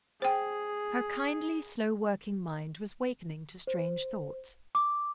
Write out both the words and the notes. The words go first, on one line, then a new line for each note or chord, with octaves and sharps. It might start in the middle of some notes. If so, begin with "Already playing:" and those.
Her kindly, slow-working mind was wakening to strange thoughts.
G#4 C5 G5
C5
D6